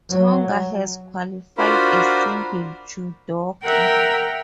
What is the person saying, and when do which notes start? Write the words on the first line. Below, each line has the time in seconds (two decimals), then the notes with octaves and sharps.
Tonga has qualified a single judoka.
0.11 F#3
1.58 D4 F4 F#4 A#4 C5 B5
3.64 A#4 E5 F#5 G5